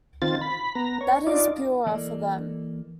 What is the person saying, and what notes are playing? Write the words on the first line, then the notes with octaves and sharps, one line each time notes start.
That is purer for them.
D#3 C4 F4 A6
B5
B3 A#5
C#5
D4 D#4 F4 D5
E3 A#3 A4 A#4 D5 D#5